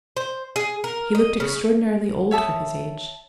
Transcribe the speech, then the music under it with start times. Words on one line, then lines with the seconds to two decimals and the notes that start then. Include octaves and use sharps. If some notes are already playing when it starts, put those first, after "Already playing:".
He looked extraordinarily old for his age.
0.17 C5
0.56 G#4
0.84 A#4
1.15 D#5
1.40 C#3
2.31 C#5 E5 A5 D#6